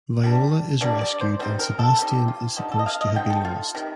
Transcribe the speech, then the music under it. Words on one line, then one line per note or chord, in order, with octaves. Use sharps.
Viola is rescued and Sebastian is supposed to have been lost.
G3 A#3 D4
G3 A#3 D4 D5
D5
C5
G3 C4 D#4 C5
A#4
A4
G3 C4 D#4 G4
F4
D3 F3 C4 D#4 G4
A4
D#5
F5
D#5
D3 F3 C4 D#4 G5
A4
F4
C3 D#3